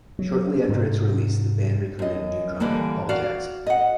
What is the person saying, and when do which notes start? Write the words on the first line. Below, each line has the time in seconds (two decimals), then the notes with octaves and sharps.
Shortly after its release the band recruited a new drummer, Paul Jackson.
0.19 F#3
0.69 G#2 C3
1.99 F#2 D#5
2.60 D3 E3 G3 A#3
3.09 F#4 D5 F5
3.67 D#5 F#5